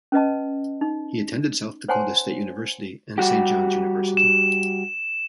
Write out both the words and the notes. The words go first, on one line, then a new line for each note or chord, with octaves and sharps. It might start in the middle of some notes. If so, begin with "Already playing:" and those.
He attended South Dakota State University and Saint John's University.
C#4 B4 D#5 A5
D#4
C5 C#5 F#5 G#5 A5 C6
G3 F#4 G4
E7